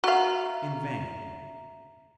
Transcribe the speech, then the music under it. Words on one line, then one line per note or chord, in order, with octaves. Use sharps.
In vain.
F#4 E5 F5 A#5